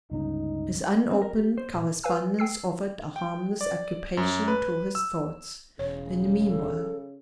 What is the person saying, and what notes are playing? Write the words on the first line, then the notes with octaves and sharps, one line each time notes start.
His unopened correspondence offered a harmless occupation to his thoughts, in the meanwhile.
G1 C#2 C#3 D#4
C4
A#4
G4
C5
A#2
B4 F5 G#5 E6
G5 E6 C7
G5
D5
F#2
B4
E6
E1 C#3 C#5
A4